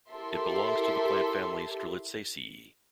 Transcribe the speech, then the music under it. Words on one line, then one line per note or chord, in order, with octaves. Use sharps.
It belongs to the plant family Strelitziaceae.
E4 G4 A4 A#4 E5 C6